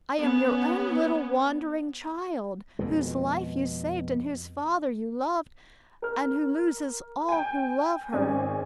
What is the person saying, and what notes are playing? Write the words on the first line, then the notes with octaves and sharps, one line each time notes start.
I am your own little wandering child, whose life you saved, and whose father you loved, and who loses all who love her.
B3 C#4
F2 B2 G#3
A#4 F6
G5 G#5
G#1 G#3 C4 C#4 D5 G#5